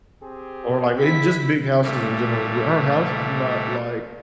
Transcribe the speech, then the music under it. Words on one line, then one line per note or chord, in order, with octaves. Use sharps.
or like in just big houses in general, our house is not like
C4 G4 G#4
E4 B6
A#2 G3 A3